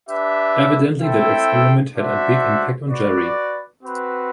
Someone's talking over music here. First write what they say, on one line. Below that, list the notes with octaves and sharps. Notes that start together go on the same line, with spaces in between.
Evidently that experiment had a big impact on Jerry.
D4 G4 B4 E5
C4 E4 A4 E5 G5
D4 F#4 C5 E5
F#4 B4 D5
C4 F#4 B4